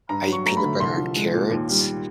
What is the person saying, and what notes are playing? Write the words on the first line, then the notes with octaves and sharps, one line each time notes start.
I eat peanut butter on carrots,
G2 A#5
F#3 C#6
A3 A#5
B5
D3
C2 C6
F3
G#3
A#2
D#2
G3